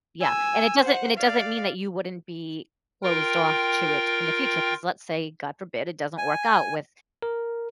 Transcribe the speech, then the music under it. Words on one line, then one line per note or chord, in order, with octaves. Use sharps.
Yeah, and it doesn't and it doesn't mean that you wouldn't be closed off to it in the future, 'cause let's say, god forbid, it doesn't work out with
G#5 E6
C5 F#5
D5 F5
F4 A#4 G5
G#5
A#4